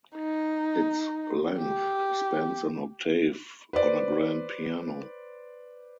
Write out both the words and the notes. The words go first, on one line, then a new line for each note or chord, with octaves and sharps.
Its length spans an octave on a grand piano.
D#4
G4
B4 C5 D5